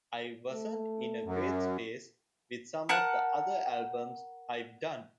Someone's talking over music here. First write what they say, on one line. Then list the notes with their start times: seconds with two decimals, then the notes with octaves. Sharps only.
I wasn't in a great space with some of the other albums I've done.
0.51 A3
1.24 F#2
2.89 A#4 F#5 A5 F#6